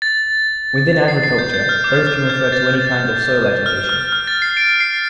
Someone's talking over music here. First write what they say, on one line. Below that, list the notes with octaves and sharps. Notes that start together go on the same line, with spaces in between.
Within agriculture, both can refer to any kind of soil agitation.
A6
A6
C7
C7
G6
G6
F6
D6
G6
F6
G6
A6
G6
F6
F6
F6
A6
C7
D7
C7